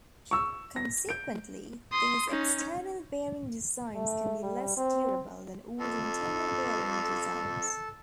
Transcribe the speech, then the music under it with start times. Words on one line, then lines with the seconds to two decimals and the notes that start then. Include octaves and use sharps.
Consequently, these external bearing designs can be less durable than older internal bearing designs.
0.31 C#6 E6
0.76 A#6
1.09 G6 D7
1.92 C6 D#6
2.30 C#4 D#4
3.95 A3
4.43 G3
4.77 C4
5.79 F2 A4